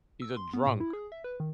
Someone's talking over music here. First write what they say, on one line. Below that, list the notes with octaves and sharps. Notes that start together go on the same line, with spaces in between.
He's a drunk.
E6
C6
B3
A2
E4
G#4
E5
B4
D#3